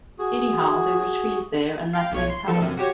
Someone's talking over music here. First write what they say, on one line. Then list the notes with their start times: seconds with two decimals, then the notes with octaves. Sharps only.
Anyhow there were trees there, and that meant cover.
0.19 F#4 G#4
1.93 F5 G5
2.12 B1 C#5
2.30 C6
2.47 F3 A4 C#7
2.62 F#2 C3
2.77 F#4 G4 C#5